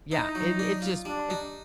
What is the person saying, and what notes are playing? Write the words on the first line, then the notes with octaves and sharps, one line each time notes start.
Yeah. It it's just it's
D#4 E4
F#3
D4
F4
G3 D4
D#4